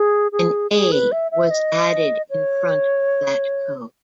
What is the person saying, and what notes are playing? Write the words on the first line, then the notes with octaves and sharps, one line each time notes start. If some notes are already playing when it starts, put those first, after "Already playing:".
An A was added in front of that code.
Already playing: G#4
G#4
G#4
B4
E5
E5
D#5
C#5